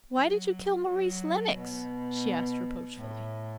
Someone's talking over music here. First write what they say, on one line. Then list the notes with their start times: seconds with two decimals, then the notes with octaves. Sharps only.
"Why did you kill MAURICE LENNOX?" she asked reproachfully.
0.16 F#3
0.87 F#3
1.57 B2
2.98 A2